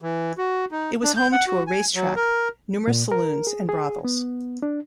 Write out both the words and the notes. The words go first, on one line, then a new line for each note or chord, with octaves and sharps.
It was home to a racetrack, numerous saloons, and brothels.
E3
F#4
D#4
D4
G6
F#5
F#4
G#5
F#3
A#4
A#2
A#4
G#4
G#4
B3
D4